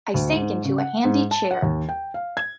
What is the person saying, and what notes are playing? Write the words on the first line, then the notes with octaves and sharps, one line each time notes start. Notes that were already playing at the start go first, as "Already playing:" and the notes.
I sank into a handy chair.
D2
G#2
C#3
F#5
G#2
A5
F#5
D#2
G5
F5
G#6